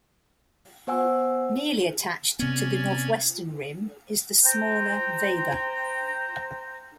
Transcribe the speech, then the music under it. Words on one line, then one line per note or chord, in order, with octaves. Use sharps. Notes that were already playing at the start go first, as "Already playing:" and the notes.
Nearly attached to the northwestern rim is the smaller Weber.
B3 C5 F#5 G#5 E6
C3 B3 C#4 D5 G#6
C5 G5 A#5